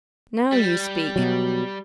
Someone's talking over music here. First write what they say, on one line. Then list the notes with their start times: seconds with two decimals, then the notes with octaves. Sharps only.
Now you speak.
0.53 G3
1.16 B2 F#3